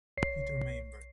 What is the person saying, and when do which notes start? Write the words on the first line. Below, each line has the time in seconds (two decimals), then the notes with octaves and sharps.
Peter Meienberg.
0.17 B1 C#5 C7